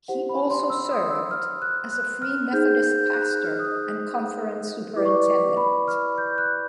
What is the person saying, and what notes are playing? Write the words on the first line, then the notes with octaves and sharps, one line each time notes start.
He also served as a Free Methodist pastor and conference superintendent.
E4 G4 C5 F#5
B5
C6
E6
D#6
E6
F6
F#6
F#6
F6
D#4 G#4 C5 G6
G6
F#6
F#6
F6
D#6
E4 G4 B4 D5 D6
C#6
D6
C#6
B5
F6
G6
F#6